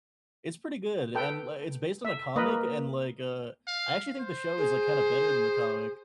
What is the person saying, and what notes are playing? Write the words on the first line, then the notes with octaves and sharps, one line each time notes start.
It's pretty good, and like, it's based on a comic, and, like, uh, I actually think the show is, like, kinda better than the comic
A4 B4 G5
E5
A#3 A#4 B4 D#5
F5
C5
G#4